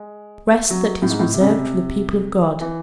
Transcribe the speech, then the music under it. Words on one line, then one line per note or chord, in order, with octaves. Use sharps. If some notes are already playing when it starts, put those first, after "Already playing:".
"Rest that is reserved for the people of God."
Already playing: G#3
F#3
A2
G#2
A2
C3
C#3
C3
E3